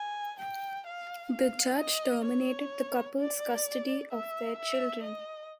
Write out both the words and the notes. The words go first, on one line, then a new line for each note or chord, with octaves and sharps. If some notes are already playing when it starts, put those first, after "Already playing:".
The judge terminated the couple's custody of their children.
Already playing: G#5
G5
F5
F5
D#5
C#5
D5
E5
E5
D#5